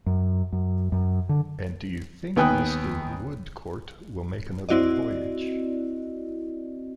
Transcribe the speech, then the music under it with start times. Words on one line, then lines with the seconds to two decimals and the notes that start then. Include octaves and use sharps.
And do you think Mr. Woodcourt will make another voyage?
0.06 F#2
0.52 F#2
0.92 F#2
1.29 D3
2.36 D#2 B3 G5 G#5 D#6 F#6
4.69 C4 E4 F#4 D5 D#5